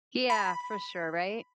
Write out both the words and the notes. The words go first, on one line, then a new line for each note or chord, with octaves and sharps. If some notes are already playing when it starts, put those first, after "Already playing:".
Yeah, for sure, right?
B5